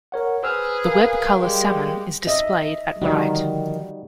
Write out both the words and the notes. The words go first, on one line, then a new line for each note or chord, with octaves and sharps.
The web color salmon is displayed at right.
A#4 C#5 F#5
G#4 B4 C5 E6 F6
A#4 F5
G3 G#3 G4
D#5 E5
D3 D#3 F3 G3 D#4 F#4